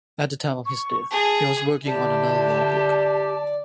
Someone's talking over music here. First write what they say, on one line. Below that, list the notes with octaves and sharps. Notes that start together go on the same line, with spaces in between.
At the time of his death he was working on another law book.
C#6
G#4 A5
D3 E4 G4 D5 A5